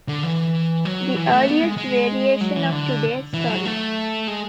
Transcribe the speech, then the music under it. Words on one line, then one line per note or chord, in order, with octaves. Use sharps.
The earliest variation of today's Sorry!
D3
E3
F#3
E3
A3
B3
G#3
G#3
F#3
E3
D3
E3
F#3
A3
G#3